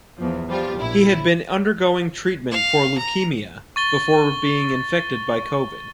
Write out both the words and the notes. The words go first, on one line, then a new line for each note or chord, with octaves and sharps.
He had been undergoing treatment for leukemia before being infected by covid.
E2 F3
F3 G3 F4
A#1 E4
F5
A#5
C#6 A6 G7